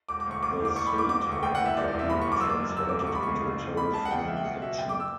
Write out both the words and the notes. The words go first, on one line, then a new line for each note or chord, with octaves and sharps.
The "silly talk" had been translated into terrifying action.
E1 D6
D6
D2 C#6
F#1 D6
E2
D6
F#1 C#6
B5
E2
D6
E1 D6
D6
D2
C#6
F#1 G5
F#5
E2
E5
E1 D5
D5
E2
E5
G1 B5
C#6
F#2 D6
F#1 E6
D6
F#2
E1 E6
D6
D2
D6
C#6
C#2 B5
C#3 C#6
F#1
E2
C#2 B5
C#3 A5
F#5
C#2 G5
F#5
C#3 E5
G5
B1 F#5
B2 E5
F#1 G5
D6
E6